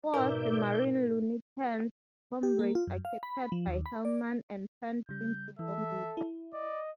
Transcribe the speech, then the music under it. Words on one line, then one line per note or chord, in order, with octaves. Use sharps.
Four of the marine lieutenant's comrades are captured by Hellman and turned into zombies.
G#2 B2 D#4 A#4 B4 D5 E5 G6
G4
A#3
F4
F#2
F5
B5
F3
D#2
B5
D5
C#3 G3 G6
E3 A4 E5
E4
D5 D#5